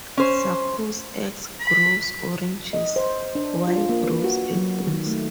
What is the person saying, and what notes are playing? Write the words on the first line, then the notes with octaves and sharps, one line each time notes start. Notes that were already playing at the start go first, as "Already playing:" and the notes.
Suppose X grows oranges, Y grows apples.
C#4 C5
B5
D#5
C5
D4
F4
A#3
B4
F#4
F#3
D#3
A3